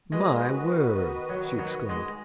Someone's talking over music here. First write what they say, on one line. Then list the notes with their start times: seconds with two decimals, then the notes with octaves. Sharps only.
'My word!' she exclaimed.
0.12 D#3 G#3 B3 F#4 B4 D#5
1.29 F#3
1.59 F#3
1.89 G#3